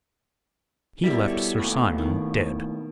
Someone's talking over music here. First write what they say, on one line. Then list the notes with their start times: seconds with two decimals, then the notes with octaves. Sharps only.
He left Sir Simon dead.
1.04 B2 G3 E4 A#4
1.26 A4 C#5
1.59 D#2 A2
1.98 D#3